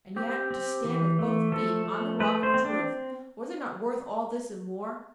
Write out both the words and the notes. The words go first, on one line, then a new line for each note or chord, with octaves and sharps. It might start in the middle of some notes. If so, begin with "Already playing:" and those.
And yet--to stand with both feet on the rock of truth, was it not worth all this and more?
C4 G4
C4
E3
A3
F3 A4
A3
A3 B4
C5
C4
D4